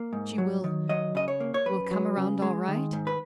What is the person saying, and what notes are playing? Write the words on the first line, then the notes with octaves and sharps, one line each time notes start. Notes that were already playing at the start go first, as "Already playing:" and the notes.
"She will--will come around all right?"
Already playing: A#3
G#2
F#3
D#3
F#3 D#5
C#3 D#5
C#5
A#3
C#5
F#2 B4
F#3
C#3
G#3
D#3
G#2
B4